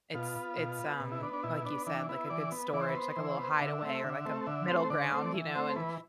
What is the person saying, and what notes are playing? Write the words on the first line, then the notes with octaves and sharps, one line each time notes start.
it's it's, um like you said, like a good storage, like a little hideaway or like a middle ground, you know? And,
B2 F4
B3
B2
B3
B2
E4
B3 D4
D4
B2 E4
B3 D4
E3 D4
B3 E4
E3 D5
B3
E3 D5
C5
B4
B3 C5
E3
B3
D3 E5
A3 C4
D3
A3 C4
D3 E5
A3 C4 C5
D3 D5
C5
A3 C4 C5
D5
E3
A3 C4 C5
E3 B4